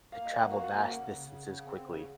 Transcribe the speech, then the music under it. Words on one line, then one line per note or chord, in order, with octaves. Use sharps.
to travel vast distances quickly.
A#3 F5
D#5
A#3
F#5
F#4 F5
F#5
A#3
F5
C#3 F#5
C#3
C#3
C#3
C4
C#3